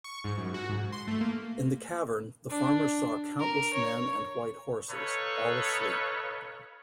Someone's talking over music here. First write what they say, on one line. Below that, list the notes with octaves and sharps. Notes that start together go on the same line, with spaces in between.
In the cavern, the farmer saw countless men and white horses, all asleep.
C#6
G#2
F#2
F#4
G#2
C6
A3
A#3
D4
A#4
C#5
D#4 A4 B4 C#5 F5